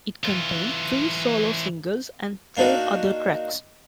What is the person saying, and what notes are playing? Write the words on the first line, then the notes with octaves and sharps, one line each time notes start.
It contained three solo singles and twelve other tracks.
E3 F4
A#3 D4 D#4 F#4